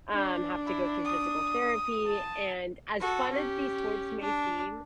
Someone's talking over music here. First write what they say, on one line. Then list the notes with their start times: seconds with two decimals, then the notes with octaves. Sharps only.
um, have to go through physical therapy, and as fun as these sports may seem,
0.12 D4
0.65 E4
1.04 D#6
2.07 A5
3.01 F#4 A4
3.32 C#4 G4
4.20 D4